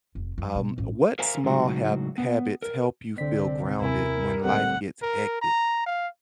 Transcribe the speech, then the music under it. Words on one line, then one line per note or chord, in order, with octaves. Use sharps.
Um, what small hab habits help you feel grounded when life gets hectic?
F1
F#2
B2
A1
A#4 C5 E5 F5 G#5 A#5
A2 C#3 F#3 G#3 D#4 F#4
B3
A#4
C2 D3 C4 D5 B6
D#2 C3 E4 A#4 G#5
A1 D2 A#2 G3 C4 A4 F#5
A#4
A#5
F5